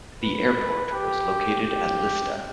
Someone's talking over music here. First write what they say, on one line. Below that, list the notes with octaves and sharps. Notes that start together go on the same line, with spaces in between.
The airport was located at Lista.
B4
G4
G4